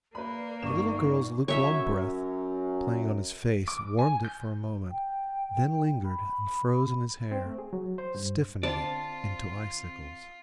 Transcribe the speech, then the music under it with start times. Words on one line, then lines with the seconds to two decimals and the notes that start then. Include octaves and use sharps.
The little girl's lukewarm breath, playing on his face, warmed it for a moment, then lingered, and froze in his hair, stiffening it into icicles.
0.15 A#3 B4 D5 B5
0.62 G1 D#4 C#6 D6 E7
1.48 F#2 C#5 E5
3.68 D6
3.99 G#5
4.25 G6
4.91 G5
6.05 B5
7.32 C4
7.45 A3
7.58 G#4
7.73 F#3
7.98 C5
8.15 G2
8.63 D3 C4 F4 D5 A5